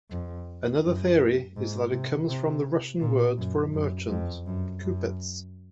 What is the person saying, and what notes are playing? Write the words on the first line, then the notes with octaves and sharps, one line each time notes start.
Another theory is that it comes from the Russian word for a merchant, "kupets".
F2
F#2
G#2
C3
C3
A#2
F#2
F#2
F2
F#2
F#2